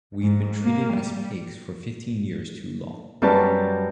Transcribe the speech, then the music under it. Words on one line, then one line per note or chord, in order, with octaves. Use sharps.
We’ve been treated as pigs for fifteen years too long.
G#2
A#3
G3
F#2 G3 C#4 G4 B4 A5